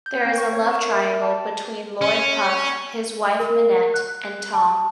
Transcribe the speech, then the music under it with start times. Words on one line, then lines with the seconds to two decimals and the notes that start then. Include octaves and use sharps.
There is a love triangle between Lord Puff, his wife Minette, and Tom.
0.06 G6
0.25 C4
0.38 C#6
0.53 C#5
0.71 A#4
0.90 E5
1.22 A5
2.01 C#4
3.39 A#4
3.94 F#6
4.53 A5